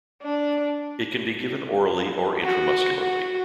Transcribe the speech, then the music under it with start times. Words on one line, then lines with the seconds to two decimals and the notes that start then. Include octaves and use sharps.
It can be given orally or intramuscularly.
0.22 D4
2.43 F#4
3.00 F#4